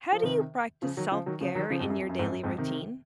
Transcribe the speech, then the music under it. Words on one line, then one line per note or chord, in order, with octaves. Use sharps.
How do you practice self-care in your daily routine?
F3
C3 D#3
C#3 F3
D#3 F#3
C#3 F3
D#3 F#3
C#3 F3
D#3 F#3
C#3 F3
F2 G#2
F#2
F2
F#2
F2 G#2
F#2
F2 G#2
C3 D#3